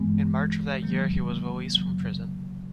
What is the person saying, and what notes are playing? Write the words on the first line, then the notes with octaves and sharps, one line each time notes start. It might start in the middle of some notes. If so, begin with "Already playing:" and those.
In March of that year, he was released from prison.
Already playing: G2 E3 G#3 B3
C3 D#3 F#3 A#3
F#2 C#3 F#3